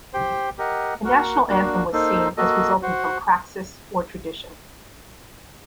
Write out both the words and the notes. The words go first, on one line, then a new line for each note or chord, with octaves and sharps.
A national anthem was seen as resulting from praxis or tradition.
G4 C5 G5
G4 A#4 D#5 F#5
A#3 F#4 A#4 F#5
A#3 D4 F#4
A#3 D#4 A4 C5
A#3 F#4 A4 D#5
F#4 C5 F#5